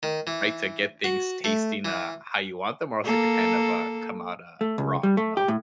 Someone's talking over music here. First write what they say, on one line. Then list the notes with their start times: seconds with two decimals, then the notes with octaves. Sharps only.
right, to get things tasting, uh, how you want them, or else it could kind of, uh, come out, uh, wrong, you know?
0.03 D#3
0.27 E3
1.04 F#4
1.44 A3
1.85 E3
3.04 A#3 A4
4.61 A3
4.78 C#2
5.03 G3
5.17 A3
5.37 G4
5.48 A2